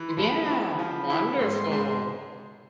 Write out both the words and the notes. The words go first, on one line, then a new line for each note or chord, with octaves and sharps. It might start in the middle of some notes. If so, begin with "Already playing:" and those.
Yeah, wonderful.
Already playing: E3
C6
F3 B5
E4
F3 B5
E4 B5
G#2 C6
G#2 C6